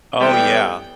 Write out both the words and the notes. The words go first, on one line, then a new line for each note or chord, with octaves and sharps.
Oh, yeah.
A2 E3 G3 B3 G5